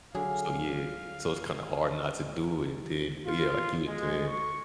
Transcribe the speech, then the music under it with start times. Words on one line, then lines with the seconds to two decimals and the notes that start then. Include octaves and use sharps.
So yeah. So it's kinda hard not to do it and then but yeah, like you were saying,
0.15 D3 F#3 G#4 F5
3.26 F4
3.88 G#3
4.29 C#6